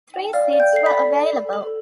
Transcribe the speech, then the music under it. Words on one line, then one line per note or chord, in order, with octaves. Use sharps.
Three seats were available.
G5
D5 F5 F6
D5
G5 G6
A4 C7
B5 B6
D5
A4
A4
A4